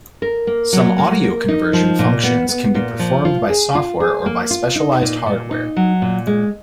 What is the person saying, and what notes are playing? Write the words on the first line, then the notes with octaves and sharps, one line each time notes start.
Some audio conversion functions can be performed by software or by specialized hardware.
A#4
A#3
F#3
A#3
A#4
D#4
F3
A#2
B3
B3
A#2
F3
F4
G#4
F4
G#4
A#3
F4
D#4
A#2
A#2
D#4
F#3
A#2
G#3